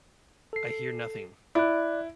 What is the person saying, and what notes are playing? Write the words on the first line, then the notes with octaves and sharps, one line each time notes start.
I hear nothing!
A4 C7
E4 D5 F#6